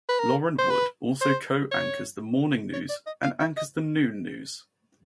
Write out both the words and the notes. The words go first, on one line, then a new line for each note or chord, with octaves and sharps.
Lauren Wood also co-anchors the morning news and anchors the Noon news.
B4
A#4
C5
B4
C5
C#5
C#5
D5
D#5
F5
E5
D#5